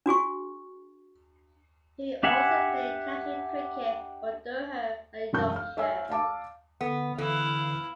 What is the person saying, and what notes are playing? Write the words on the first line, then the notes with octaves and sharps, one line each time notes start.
He also played county cricket for Durham and Yorkshire.
D4 F#4 G#4 C#6
D4 G4 E5 F#5 G#5
E1 F#2 A5 C#6 G6
F5 F6
C#5 E5 G#5 E6
D5 F5 A5 D6
D3 B3
D3 E3 E4 F5